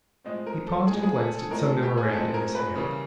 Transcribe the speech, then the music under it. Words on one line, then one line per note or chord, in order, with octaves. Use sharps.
He paused and glanced at some memoranda in his hand.
A2 F3 G#3 C4 D#5
A#4
A4
A2 F3 G#3 C4 G#4
G#4
A4
A4
A2 F3 G#3 C4 A#4
A4
G4
G#4
A2 F3 G#3 C4 A4
A#4
B4
C#3 E3 G3 A#3 C#4